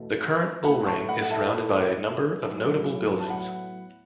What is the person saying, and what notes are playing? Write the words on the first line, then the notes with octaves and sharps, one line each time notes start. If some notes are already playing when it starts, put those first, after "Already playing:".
The current Bull Ring is surrounded by a number of notable buildings.
Already playing: E2 B2 A3
A2 A3 E4 F#5 B5
A5 C#6
F#5 B5
F#5
E5 A5
A2 F#3 B3 E4
A5
F#5 B5